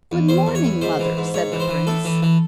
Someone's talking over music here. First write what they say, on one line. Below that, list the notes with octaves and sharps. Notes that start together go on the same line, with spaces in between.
'Good-morning, mother,' said the prince.
E2
E2 C5
E2
C#5
E2
G#2 C5
E3
G#2
G#2 C#5
E3
C5
E3
A2 A4
E3
E3